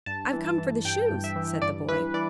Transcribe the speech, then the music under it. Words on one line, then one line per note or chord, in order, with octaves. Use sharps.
"I've come for the shoes," said the boy.
G2 A5
E3
A5
E3
G2 G5
G2
E5
E3
G2 D5
E3 B4
E3 D5